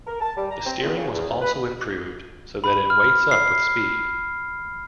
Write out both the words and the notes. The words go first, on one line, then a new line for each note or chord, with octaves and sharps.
The steering was also improved so that it weights up with speed.
A#4
A5
G3
A#5
C4
E2
C#3
E2
D2
B4
B5
F6
C7